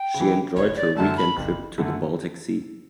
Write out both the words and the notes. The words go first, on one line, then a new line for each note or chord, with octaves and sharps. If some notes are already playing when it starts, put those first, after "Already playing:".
She enjoyed her weekend trip to the Baltic sea.
Already playing: G5
C#3
E3
F#1 C#5
D5
F#2 D3 A3 A5
B5
F#1
F#2 D3 A3